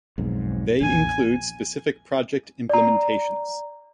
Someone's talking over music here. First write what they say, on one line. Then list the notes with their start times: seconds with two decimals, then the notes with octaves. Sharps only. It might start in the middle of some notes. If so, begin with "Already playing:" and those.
They include specific project implementations.
0.18 B1 F2 G#2
0.81 A#1 E2 G#5
2.70 D5 A#5